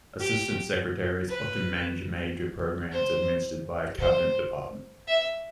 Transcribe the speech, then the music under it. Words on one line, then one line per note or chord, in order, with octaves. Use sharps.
Assistant Secretaries often manage major programs administered by a Cabinet Department.
G4
B4
C5
C5
E5